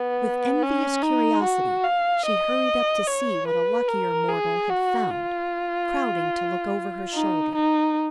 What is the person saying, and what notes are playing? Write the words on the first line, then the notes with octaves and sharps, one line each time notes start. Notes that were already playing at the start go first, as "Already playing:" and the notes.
With envious curiosity she hurried up to see what a luckier mortal had found, crowding to look over her shoulder.
Already playing: B3
C#4
D#4
F#4
F5
D#5
C#5
B4
A#4
G#4
F#4
F4
D#4
D#4